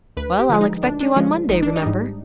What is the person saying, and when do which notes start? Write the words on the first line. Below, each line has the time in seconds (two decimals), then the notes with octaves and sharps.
"Well, I'll expect you on Monday, remember."
0.17 D2 B4
0.39 G4
0.50 D3 F3 G#3
0.61 D#4
0.83 D2 D4
1.01 D4
1.16 D3 F3 G#3
1.49 G#1 D#4
1.62 D4
1.76 D#4
1.82 G#2 G3